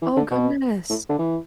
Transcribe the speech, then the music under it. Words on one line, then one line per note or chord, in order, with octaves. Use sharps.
Oh, goodness.
E3
D3
B2
A2
D3
E3